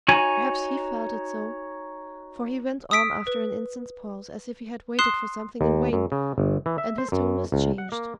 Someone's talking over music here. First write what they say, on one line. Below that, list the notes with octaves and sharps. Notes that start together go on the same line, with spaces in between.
Perhaps he felt it so, for he went on after an instant's pause, as if he had waited for something in vain, and his tone was changed.
D#4 F#4 C#5 G#5
D#6 E6 B6 D7
B4
C6 D#6 F#6 C7 E7
D#2
F#2
C#3
G1
E3
E5
C5
F#2
C#2
F#5
A#3